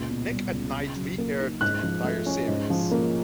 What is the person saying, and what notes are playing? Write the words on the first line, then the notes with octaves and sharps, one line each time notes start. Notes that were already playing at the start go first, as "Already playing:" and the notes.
Nick at Nite reaired the entire series.
Already playing: C#2 A#2
B2
G3
C#2
C#3
F#3
A#3
D#4
G#2 F#6
F3
A3
C#4
G#2
F3
A#3